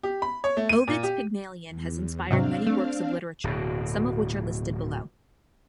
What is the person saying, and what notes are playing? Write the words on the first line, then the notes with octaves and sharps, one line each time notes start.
Ovid's Pygmalion has inspired many works of literature, some of which are listed below.
G4
B5
C#5
A3
D#7
A#2
G4
E2
G#2 C3 F#3 C4 D4 F5
A3
D1 B2